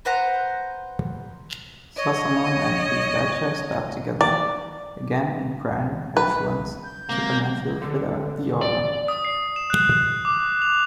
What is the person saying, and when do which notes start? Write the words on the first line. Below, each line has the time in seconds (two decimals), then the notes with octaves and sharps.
Sossamon and Heath Ledger starred together again in Brian Helgeland's supernatural thriller "The Order".
0.05 B4 C5 F#5 A#5
1.97 C#5 D#5
4.21 D5
6.17 B4
6.84 G6
7.09 G#2 C3 F#3 A#3
7.82 D3
8.61 D5
9.08 D#6
9.25 C7
9.56 E7
9.70 F#6
10.25 D6
10.62 F7